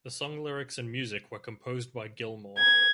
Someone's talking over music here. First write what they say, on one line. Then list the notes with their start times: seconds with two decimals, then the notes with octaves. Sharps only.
The song lyrics and music were composed by Gilmour.
2.58 G#6